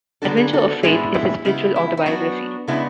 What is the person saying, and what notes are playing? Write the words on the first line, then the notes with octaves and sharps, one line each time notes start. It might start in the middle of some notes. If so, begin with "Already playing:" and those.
"Adventure of Faith" is his spiritual autobiography.
D3 F#3 B3 D4 F#4 A4
G#4 B4
F#4 A4
A2 G#3 B3 D4 E4 G#4
E4
C#3 G#3 B3 E4
E4
E4
F#3 B3 D4 F#4
C#3 G#3 B3 D4 E4